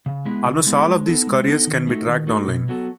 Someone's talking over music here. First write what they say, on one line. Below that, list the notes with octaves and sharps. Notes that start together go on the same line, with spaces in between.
Almost all of these couriers can be tracked online.
C#3
G#3 B3 E4 G#4
C#3
G#3 B3 E4 G#4
G#3
B3 D#4 A4
G#3
B3 D#4 A4
D#3
A3 D#4 F#4 A4
D#3
A3 D#4 F#4 A4
B2
F#3 B3 F#4 A4